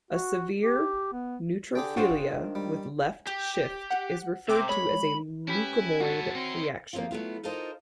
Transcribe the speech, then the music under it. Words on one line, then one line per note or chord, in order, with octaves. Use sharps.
A severe neutrophilia with left shift is referred to as a leukemoid reaction.
F#4
G4
B3
D3 G4 G#4 G5
D4 F4 F#4 C5
D#3
G3
G4
F#5
C3 G5 D6 E6
G#3 C#5 B5
C#4 E4 G4 A4 B4 G#5 B5
G#2 B3 E4 F#4 C#5 A5
C4 D#4 E4 A#4 C#5 C6
F3 A#3 C4 C#4 F4
F#3 A3 B3 E4 F4
D#4 F4 A4 A#4 C5 D#5